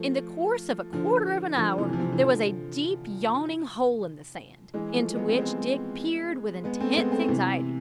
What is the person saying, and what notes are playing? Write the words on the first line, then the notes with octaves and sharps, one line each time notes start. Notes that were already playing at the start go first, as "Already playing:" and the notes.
In the course of a quarter of an hour there was a deep yawning hole in the sand, into which Dick peered with intense anxiety.
Already playing: F3 A3
D3 F3
D3 F3
C3 E3
F3
C3 E3
E3
D3 F3
E3 G#3
F3 A3
G#3 B3
C4
G#3 B3
G#3 B3
A3 C4
G#3 B3
A3 C4
C3 E3